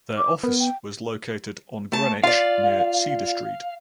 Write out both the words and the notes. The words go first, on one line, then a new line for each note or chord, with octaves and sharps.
Their office was located on Greenwich near Cedar Street.
D6
B3 A#4
G5
A3 A5
F4 D5 F5